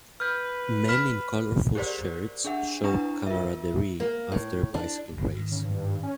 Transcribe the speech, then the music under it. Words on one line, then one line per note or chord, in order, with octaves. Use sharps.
Men in colorful shirts show camaraderie after a bicycle race.
B4 F6 G6
B5 F6 B6
G4 G#4 A#4 C5 D5
D4 G#4 E5 F#5
D4 E4 B4 A#5
F4 A#4 E5
A#3
A2
D4
G1 G2 G#3
G#2 D#3
C#3
G2
C#4